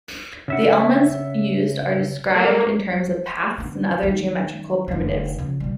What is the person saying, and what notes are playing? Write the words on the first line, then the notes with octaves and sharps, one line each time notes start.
The elements used are described in terms of paths and other geometrical primitives.
C#3 E5 F#5
A3 A#3
D3 B3
D#3 C#4
F1 D3
C#3 F3
B2 G3